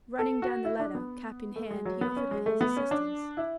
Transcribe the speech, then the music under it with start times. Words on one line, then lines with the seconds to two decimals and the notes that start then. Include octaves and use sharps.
Running down the ladder, cap in hand, he offered her his assistance.
0.19 A4
0.42 F#4
0.65 E4
0.80 D4
0.95 B3
1.56 A3
1.71 G#3
1.85 F#3
2.01 B3
2.16 C#4
2.31 G#3
2.46 A3
2.61 B3
2.77 C#4
2.91 D4
3.37 E4